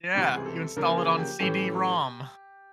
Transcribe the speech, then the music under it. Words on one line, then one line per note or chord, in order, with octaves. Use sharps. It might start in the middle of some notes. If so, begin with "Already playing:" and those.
Yeah, you install it on CD-ROM.
C#2 C3 E3 G3 C4 G4
G4
G#4
A4
C#3 F3 A#3 A#4
G#4
G4
A2 E3 A3 C#4 G4